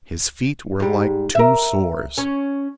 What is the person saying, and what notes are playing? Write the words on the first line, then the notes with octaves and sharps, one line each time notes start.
His feet were like two sores.
G#2 G3
A#4 E5
C#4